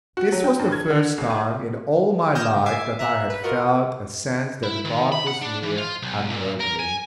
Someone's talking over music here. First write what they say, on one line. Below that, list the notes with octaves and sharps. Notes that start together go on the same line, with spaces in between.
This was the first time in all my life that I had felt a sense that God was near, and heard me.
F#4
F#3
G5
G2
G#6
D3
C#2
A2
D#6 F6 G6 G#6 A#6 E7
G#2 C#3
E5 G#5 D6 G#6 C7
E5 A#5 F#6
B4
F4 F#4 A#4 D#5 F#5
E4
D#3
B5
F#5
D4
E3
F4
B1
A#2
A#4
G#5